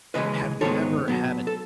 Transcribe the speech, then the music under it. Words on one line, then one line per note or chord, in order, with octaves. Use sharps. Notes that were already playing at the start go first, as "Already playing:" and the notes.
have you ever had a
D#2 C#3 E3 G#3 B4 D#5
G#2 D#3 G#3 B3 A4 C#5
B2 F#3 B3
A4